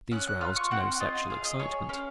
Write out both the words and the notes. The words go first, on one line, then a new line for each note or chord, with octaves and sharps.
These roused no sexual excitement.
C#4 F#6
F#6
F4 F6
C#6
C4 F#5
F4 D#5
D#5
G#4 F5
D#5
G#4 C#5
C#4 F5